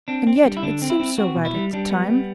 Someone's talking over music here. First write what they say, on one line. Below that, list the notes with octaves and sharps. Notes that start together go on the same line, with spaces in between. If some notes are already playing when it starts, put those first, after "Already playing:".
And yet it seemed so right at the time.
C4 D4
C4
D4
G3
E4
D3 D4
C4
E4
C4
C4 F#4
B2
E4
G3
G3 D4
B3
G3